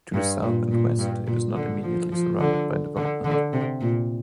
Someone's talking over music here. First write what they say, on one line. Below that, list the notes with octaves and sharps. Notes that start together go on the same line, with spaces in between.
To the south and west it is not immediately surrounded by development.
G2
A#2
A#2
G2
A#2
D3
F3
F3
D3
D3
D3
C3
A#2